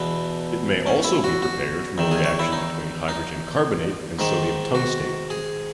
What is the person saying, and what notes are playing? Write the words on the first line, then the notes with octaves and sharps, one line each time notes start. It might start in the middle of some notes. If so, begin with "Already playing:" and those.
It may also be prepared from the reaction between hydrogen carbonate and sodium tungstate.
Already playing: E2 B2 B3
C#4
E4
F#4
F#4
E2 D#3
G#4
C#5
E4
D#4
D#4
G#2 D#3
F#4
G#4